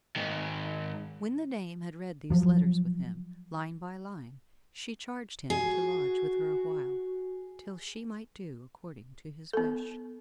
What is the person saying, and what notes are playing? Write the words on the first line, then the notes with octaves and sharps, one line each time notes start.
When the dame had read these letters with him, line by line, she charged him to lodge with her awhile, till she might do according to his wish.
G#2 D#3
F3 F#3
F#4 G#4
B3 A4